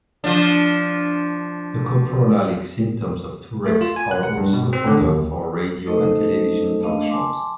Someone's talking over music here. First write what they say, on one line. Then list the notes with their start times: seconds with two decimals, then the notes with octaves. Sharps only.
The coprolalic symptoms of Tourette's are also fodder for radio and television talk shows.
0.24 F3 D4
3.66 A3
3.81 F4
3.96 G#5
4.11 F#6
4.23 F#5
4.37 G2
4.53 B2
4.73 C4
4.87 D3
5.01 D#2
5.87 A3 D#4 A4 C5 D#5
6.81 A3 A#3 D4 D#5 F5
7.09 G#5 A5 C6 D6